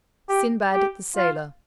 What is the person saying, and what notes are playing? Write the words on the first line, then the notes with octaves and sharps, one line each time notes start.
"Sinbad the Sailor."
G4
G4
F4